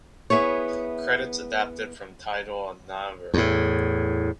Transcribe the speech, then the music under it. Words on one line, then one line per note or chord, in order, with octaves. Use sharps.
Credits adapted from Tidal and Naver.
B3 E4 G#4 C#5
E2 A2